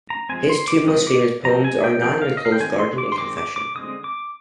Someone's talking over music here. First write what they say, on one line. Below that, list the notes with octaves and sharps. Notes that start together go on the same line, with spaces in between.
His two most famous poems are "Not an enclosed Garden" and "Confession".
A#5
F3 G#3 C4 G#5
C6
D6
F3 G#3 C4 D#6
D6
F3 C4 A#5
G#5
G5
F3 C4 G5
F5
D#5
F5
G5
D#3 G#3 C4 G#5
C6
D6
C6
D#3 G#3 C4 D6
D6
D6
D3 G#3 C4 D#6
D6